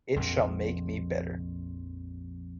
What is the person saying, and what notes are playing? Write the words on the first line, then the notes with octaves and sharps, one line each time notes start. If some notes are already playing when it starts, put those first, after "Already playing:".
It shall make me better.
A#1 F2